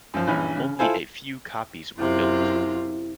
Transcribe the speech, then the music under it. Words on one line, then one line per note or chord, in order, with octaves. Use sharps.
Only a few copies were built.
F#2 F3
A#1 G2 E3 C#4
C#3
E4 F4 A4 C5 G#5
F#2 C3 E4 F4